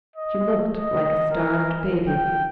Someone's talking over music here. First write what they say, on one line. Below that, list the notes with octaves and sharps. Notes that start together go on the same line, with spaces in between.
She looked like a starved baby.
D#5
D#5
A#4
G5